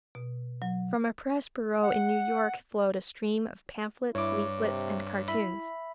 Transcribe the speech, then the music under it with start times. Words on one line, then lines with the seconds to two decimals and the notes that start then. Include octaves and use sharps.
From a press bureau in New York flowed a stream of pamphlets, leaflets, and cartoons.
0.15 B2
0.62 F#3
1.82 F#5
4.15 G2 E4 C#5 D6
4.59 C3
5.28 E4 E5 B5